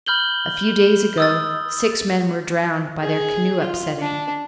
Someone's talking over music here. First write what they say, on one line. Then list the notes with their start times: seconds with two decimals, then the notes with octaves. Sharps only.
A few days ago six men were drowned by their canoe upsetting.
0.06 B5 F6 G6 F#7 G7
1.18 D#6 E6 A6
3.00 G#4
3.60 F4
3.99 D4